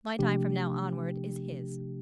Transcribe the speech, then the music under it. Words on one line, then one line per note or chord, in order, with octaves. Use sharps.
My time from now onward is his.
C3 F3 A3 D4 G4